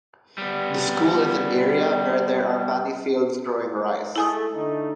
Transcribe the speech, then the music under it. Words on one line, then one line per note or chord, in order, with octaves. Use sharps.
The school is an area where there are paddy fields growing rice.
G3 B3
G#3 A3 E4 A4 G#5 D#6
D3 A3 D#4